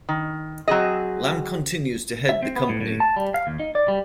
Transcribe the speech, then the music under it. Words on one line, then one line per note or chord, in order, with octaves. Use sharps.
Lam continues to head the company.
D#3
F#3 C4 G#4 D#5
E5
C4
B3
A2
A2
A5
G3
F5
D#2
D#4
D5
G3